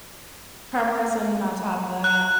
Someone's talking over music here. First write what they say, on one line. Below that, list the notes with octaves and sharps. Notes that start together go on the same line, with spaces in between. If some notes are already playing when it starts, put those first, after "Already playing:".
caramelized onion on top of that
F#6